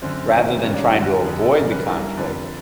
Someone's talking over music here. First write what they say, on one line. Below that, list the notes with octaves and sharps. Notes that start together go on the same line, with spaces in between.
rather than trying to avoid the conflict,
F#2 D3 C4
E2 C3 D#3
G2 D#3 C#4
D4
E4
F#2 D3 F#4
F2 D3 G#4
A4
F#2 D#3 A#4
B4
G2 E3 A#4
F2 D3